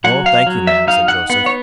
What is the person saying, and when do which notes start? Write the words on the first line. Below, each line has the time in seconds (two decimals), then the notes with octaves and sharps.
"No, thank you, ma'am," said Joseph.
0.04 F#3 F#5
0.26 F5
0.47 F#3
0.67 E5
0.87 D#4 F5
1.08 F#5
1.30 B3 F#5
1.46 C#5